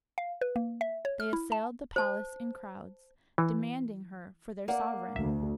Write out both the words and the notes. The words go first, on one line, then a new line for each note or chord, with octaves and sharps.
They assailed the palace in crowds, demanding her for their sovereign.
F5
B4
A#3
E5
C#5
F6
E4
A5
C5 A5
E3
A#3 D5 F#5
D2 E5